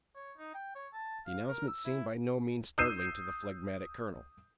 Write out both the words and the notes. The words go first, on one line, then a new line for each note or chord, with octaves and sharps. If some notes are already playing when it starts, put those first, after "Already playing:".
The announcement seemed by no means startling to the phlegmatic colonel.
C#5
D#4
G5
C#5
A5
F5
A#4
E6
E4
D#6 E6 G6 C7 D#7 E7